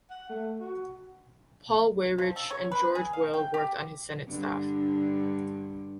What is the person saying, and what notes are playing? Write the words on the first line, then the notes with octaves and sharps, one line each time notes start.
Paul Weyrich and George Will worked on his Senate staff.
F#5
A3
F#4
F3
A4
C#5
B4
G#4
F5
G5
G4
G2 D3 D4